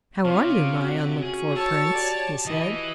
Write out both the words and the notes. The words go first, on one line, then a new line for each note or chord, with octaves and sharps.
'How are you my unlooked-for Prince?' he said.
C3 F4 C#5 F5
F#4
C#4 G#4
A4 C#5 A5
G4 D5
E3 B4 D#5